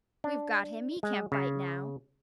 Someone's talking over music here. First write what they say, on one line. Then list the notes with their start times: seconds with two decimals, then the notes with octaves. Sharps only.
"We've got him; he can't bite now."
0.24 D4
1.03 G#3
1.32 C#3